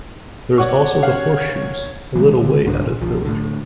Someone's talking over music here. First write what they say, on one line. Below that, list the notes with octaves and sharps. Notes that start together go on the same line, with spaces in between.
There is also the Horseshoes, a little way out of the village.
C#5 D5 F#5 C#6
C#4 F5 F#5
E3 F#3 G#3
D3
C2 G#2 D4
A#2
B1 F3
A2 D3